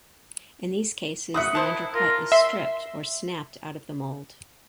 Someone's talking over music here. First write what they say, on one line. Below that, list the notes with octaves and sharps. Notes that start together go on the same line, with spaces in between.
In these cases the undercut is stripped or snapped out of the mold.
A#3 F#4 E5 D#6 F#6 C#7
D#3 E4 C5 A5
F4 A#4
E5 C6